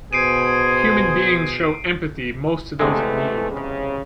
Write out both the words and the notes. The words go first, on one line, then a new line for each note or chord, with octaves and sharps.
Human beings show empathy most to those in need.
B2 G#4 C5 G#5 C7 D7 D#7
E2 C3 E3 G#3 A3
C#3